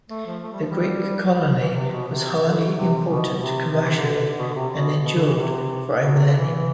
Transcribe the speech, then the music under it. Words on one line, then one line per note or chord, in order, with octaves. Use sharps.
The Greek colony was highly important commercially and endured for a millennium.
A3
F3
A3
G3
F3
G3
F3
E3
C3
B2
C3
D3
C3
B2
C3
C3
E3
C3
D3
B2
D3
C3
B2
B2
D3
E3
C3
B2
C3
D3
E3